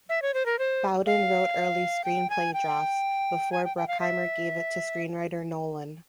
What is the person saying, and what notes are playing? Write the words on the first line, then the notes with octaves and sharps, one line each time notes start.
Bowden wrote early screenplay drafts, before Bruckheimer gave it to screenwriter Nolan.
E5
C#5
C5
A#4
C5
F5
G5
G#5
G5
G#5
G5
G5
F5
E5